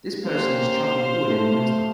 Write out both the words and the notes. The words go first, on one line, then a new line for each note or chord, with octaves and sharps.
This person is chopping wood in the winter.
A#3 C#4 G4 C5 F5
A3